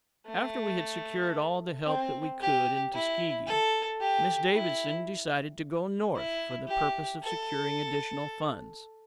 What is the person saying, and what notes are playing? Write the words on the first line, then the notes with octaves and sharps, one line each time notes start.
After we had secured all the help that we could in Tuskegee, Miss Davidson decided to go North for the purpose of securing additional funds.
A3
C4
G4
E4
A4
G4
E4
E4
G4
A4